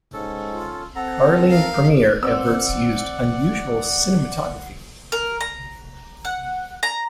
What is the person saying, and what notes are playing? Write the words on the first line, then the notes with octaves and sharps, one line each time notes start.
Carling Premier adverts used unusual cinematography.
G#2 C#4 A4
F4
C4 A4 F#5 A#5
A#4 F5
C4 C5 D5 F#5 E6
A#4
A#5
F#5
A#5